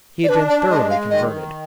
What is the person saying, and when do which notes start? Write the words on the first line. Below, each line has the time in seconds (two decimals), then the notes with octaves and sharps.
He had been thoroughly converted.
0.24 D5
0.29 D4 B4
0.49 D5
0.70 G#3 D#5
0.90 F5
1.10 D#3 D#5